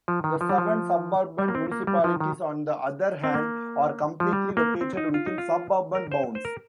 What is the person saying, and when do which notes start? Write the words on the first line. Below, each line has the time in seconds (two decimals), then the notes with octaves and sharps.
The seven suburban municipalities, on the other hand, are completely located within suburban bounds.
0.08 F3
0.24 D#3
0.41 F3
0.49 G3
0.58 F3
1.39 G3
1.48 A#3
1.55 C4
1.72 A#3
1.87 G3
2.04 F3
2.20 D#3
3.24 C4
3.34 A#3
4.20 F3
4.33 G3
4.57 A#3
4.81 C4
4.97 D#4
5.14 F4
5.26 D#4
5.38 F4
5.95 A#4
6.12 C5
6.35 C5
6.45 A#4